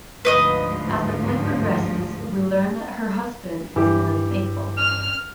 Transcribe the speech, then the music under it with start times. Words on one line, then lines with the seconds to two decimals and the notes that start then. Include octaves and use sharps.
As the play progresses, we learn that her husband has been unfaithful.
0.25 D2 G#2 F3 B4 D#5 D#6
3.76 G2 E3 G4
4.76 F6